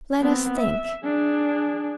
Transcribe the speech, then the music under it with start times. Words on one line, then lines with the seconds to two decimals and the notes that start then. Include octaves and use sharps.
Let us think.
0.20 B3 C4
0.57 E5
1.04 D4 G#4